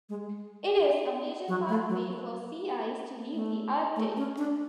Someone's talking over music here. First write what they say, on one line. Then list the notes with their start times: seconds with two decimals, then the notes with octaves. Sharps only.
It is a major pathway for sea ice to leave the Arctic.
0.09 G#3
1.48 F#3
1.69 A3
1.89 F#3
3.34 A3
3.96 A3
4.17 C#4
4.38 D4